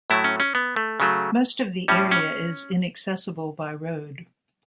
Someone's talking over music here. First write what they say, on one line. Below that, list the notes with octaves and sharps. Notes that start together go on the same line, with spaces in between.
Most of the area is inaccessible by road.
A2 F#3 A3 E4
C#4
C#4
B3
A3
C#3 F#3 A3
A2 G3 C#4
C#4